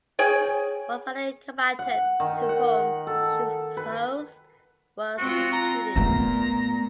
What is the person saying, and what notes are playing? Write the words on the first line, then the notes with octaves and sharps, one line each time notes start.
One fellow combatant to whom she was close was executed.
G#4 C#5 G5
F#5
D#3
F#5
A4
B4
C4 F4 F#4
A#5
A#2 A3 B3 A#5